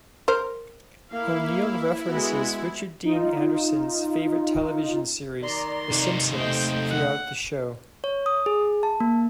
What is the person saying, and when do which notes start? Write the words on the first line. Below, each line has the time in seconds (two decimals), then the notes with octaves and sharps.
O'Neill references Richard Dean Anderson's favorite television series, "The Simpsons", throughout the show.
0.28 A#4 C5
1.10 A#3 E4 F5
2.08 G#3 B3 F#4
3.05 D#4 F4
5.42 D#3 D5 A#5 C6
5.91 C3 D#4
6.33 A3 C5 D#5 G5
6.91 F#5
8.04 C#5
8.26 D#6
8.46 G#4
8.83 A5
9.00 A#3